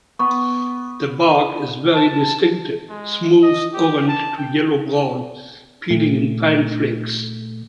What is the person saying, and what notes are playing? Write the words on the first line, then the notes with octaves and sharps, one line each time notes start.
The bark is very distinctive, smooth orange to yellow-brown, peeling in fine flakes.
B3 C#6
B5 D#7
A5
G#3
D#5
G4
A5
G5
A#2 A3